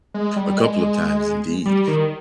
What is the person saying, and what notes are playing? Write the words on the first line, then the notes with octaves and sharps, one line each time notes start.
a couple of times indeed,
G#3
G3
G3
G#3
G3
D#3